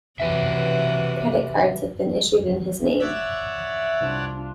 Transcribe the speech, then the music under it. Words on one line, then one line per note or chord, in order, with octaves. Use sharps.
Credit cards have been issued in his name.
C3 E3 F#4 G4 B4 E5
C#5 D5 E5 F#5
C2 D4 F4